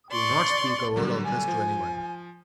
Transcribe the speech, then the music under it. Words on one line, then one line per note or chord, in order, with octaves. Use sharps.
Do not speak a word of this to any one.
D5 C6 C#6
D3 F#3 G3
G#5
F3